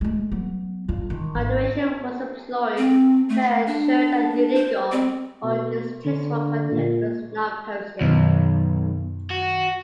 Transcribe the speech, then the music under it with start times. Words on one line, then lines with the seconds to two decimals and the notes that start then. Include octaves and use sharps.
Moderation was employed to ensure that illegal or distasteful content was not posted.
0.01 G#3 A3
0.32 F#3 B3
0.88 G1 F4
1.10 D#3 E3
1.35 G#1
2.77 C4
3.29 A3
3.67 D4
4.55 C5
4.92 C4
5.43 B2
6.05 D3
6.72 A#2
8.01 B1 F#2 B2 D#3
9.30 F#4